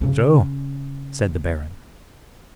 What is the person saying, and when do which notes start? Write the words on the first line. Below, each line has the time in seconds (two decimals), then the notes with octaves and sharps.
"So?" said the Baron.
0.01 C#3 C#4